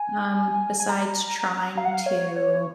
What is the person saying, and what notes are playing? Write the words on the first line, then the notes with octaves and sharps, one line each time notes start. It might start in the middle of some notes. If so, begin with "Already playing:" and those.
um, besides trying to
Already playing: G#5
G#5
A#5
F5
F#5
F5
C#5
C#5